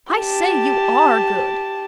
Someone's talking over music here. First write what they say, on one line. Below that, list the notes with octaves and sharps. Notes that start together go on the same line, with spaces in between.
'I say, you ARE good.'
G4 A5